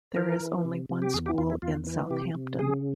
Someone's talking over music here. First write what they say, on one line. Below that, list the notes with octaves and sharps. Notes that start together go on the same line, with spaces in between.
There is only one school in South Hampton.
E3 A#4
E3
C3
C3
G4
E2 G#4
G4
E2 F4
E4
E2 F4
E3
C3 G4
C3
C#3 G#4